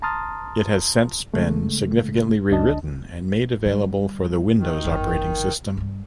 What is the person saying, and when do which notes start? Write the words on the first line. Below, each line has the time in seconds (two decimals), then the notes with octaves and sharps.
It has since been significantly rewritten and made available for the Windows operating system.
0.02 A5 A#5 C6 D#6 F6 A6
1.34 C#3 G#3 A3
2.51 C#2 D4 D#5 A5
3.65 D3 G3
4.59 D#3
4.85 G1 F2
5.77 G2 E4